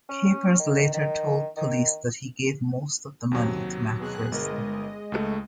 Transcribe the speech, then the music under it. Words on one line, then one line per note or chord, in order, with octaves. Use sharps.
Capers later told police that he gave most of the money to McPherson.
C#4
D#3
D#3
D#3
D#2 C3 F#3
B2 G#4 F#6
G1 G#3 A#4 D#5
C#2 A3